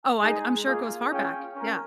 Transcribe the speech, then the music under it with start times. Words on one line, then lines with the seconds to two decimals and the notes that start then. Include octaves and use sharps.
Oh, I'd I'm sure it goes far back. Yeah.
0.21 G#3 D#4 G#4
0.66 A#3 F4 G#4
1.11 C#4 F4 G#4 C#5 G5
1.55 C#4 A#4